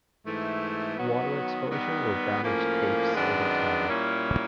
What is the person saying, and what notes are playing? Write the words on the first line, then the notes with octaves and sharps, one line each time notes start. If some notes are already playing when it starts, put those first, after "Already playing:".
Water exposure will damage tapes over time.
G#2 E3 A3
D#3 F#3 B3
D#3 G3 B3
A2 F3 A#3 C#4
F#2 D#3 G#3 B3 D4
A#2 G3 A#3 C#4 E4